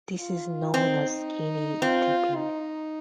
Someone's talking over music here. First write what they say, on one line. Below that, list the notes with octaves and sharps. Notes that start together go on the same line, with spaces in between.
This is known as skinny dipping.
F4
C4 D#4
C4 F4
D#4